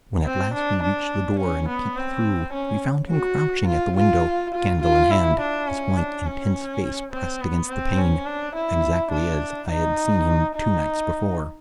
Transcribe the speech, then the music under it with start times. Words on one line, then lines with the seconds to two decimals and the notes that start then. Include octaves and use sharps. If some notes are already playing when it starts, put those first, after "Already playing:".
When at last we reached the door and peeped through we found him crouching at the window, candle in hand, his white, intent face pressed against the pane, exactly as I had seen him two nights before.
0.25 C4
0.54 D4
0.83 D4
1.39 C#4
1.68 B3
1.97 C4
2.53 C#4
3.10 F#4
3.68 F4
3.96 F4
4.55 F4
4.82 F4
5.11 E4
5.41 D4
5.69 C#4
5.98 D4
6.26 C#4
7.12 C4
7.41 B3
7.69 C4
7.98 C#4
8.26 D4
8.55 E4
9.12 D4
9.69 D#4
10.55 D#4